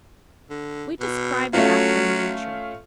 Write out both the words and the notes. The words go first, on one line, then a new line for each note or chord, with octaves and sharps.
We describe it after nature.
D3
B2
F#3 A3 C#4 F4